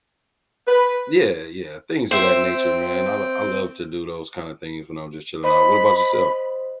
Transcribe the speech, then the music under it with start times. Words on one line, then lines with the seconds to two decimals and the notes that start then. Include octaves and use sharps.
yeah, yeah, things of that nature, man. l I love to do those kinda things when I'm just chilling out. What about yourself?
0.68 B4
2.11 C4 C5 E5 G5
5.44 C5 D#5 B5